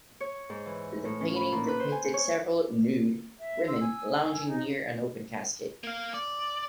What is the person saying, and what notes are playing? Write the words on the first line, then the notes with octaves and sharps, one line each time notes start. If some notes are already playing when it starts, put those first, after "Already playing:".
The painting depicted several nude women lounging near an open casket.
C#5
G#2
E3
A2
C#4
B5
A#2
B4
C5
G#5
C#5
E5
C6 E6
G#5
D#4
A#3 F5
D5